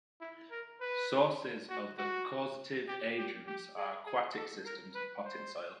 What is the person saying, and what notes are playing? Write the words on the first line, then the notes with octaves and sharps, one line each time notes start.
Sources of the causative agents are aquatic systems and potting soil.
E4
A#4
B4
F#4
F#4
G4
G4
G4
G#4
G#4
A4
A#4
B4
C5